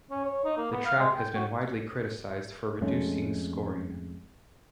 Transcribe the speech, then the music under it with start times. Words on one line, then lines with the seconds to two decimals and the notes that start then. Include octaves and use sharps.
The trap has been widely criticized for reducing scoring.
0.11 C#4
0.25 C#5
0.45 D#4
0.57 A#3
0.72 B3
0.86 F5
0.99 G#3
1.15 G5
1.35 F#4
2.81 F2 G#3 A3 C#4